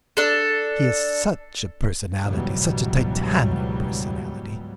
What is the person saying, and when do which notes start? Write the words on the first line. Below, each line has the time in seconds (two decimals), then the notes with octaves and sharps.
He is such a personality, such a titanic personality!
0.17 D4 A4
2.24 C#2 G#2 B2 E3 F#3 G3